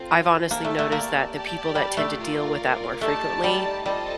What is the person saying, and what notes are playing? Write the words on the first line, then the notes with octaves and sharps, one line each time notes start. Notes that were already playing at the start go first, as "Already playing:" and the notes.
I've honestly noticed that the people that tend to deal with that more frequently
Already playing: C4 F4 A4 C5
A#3 G4 D5 A5
A3
A3
A#3
G4 D5 A5
G3
A3
F4 A#4 D5
A3 D#4 G4 D5 A5
G3
G3 C4 F4 A4 D#5 A5